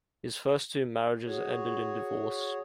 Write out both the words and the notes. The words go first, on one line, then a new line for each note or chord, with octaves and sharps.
His first two marriages ended in divorce.
F#4 G#4 C#5